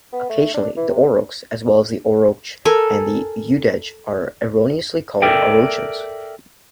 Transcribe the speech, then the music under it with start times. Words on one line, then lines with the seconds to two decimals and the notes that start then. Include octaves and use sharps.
Occasionally, the Oroks, as well as the Orochs and Udege, are erroneously called Orochons.
0.12 B3
0.29 A3
0.54 D4
0.76 E3
0.89 C3
2.65 A4 A#4 G#5
5.22 A4 A#4 D5 E5 G5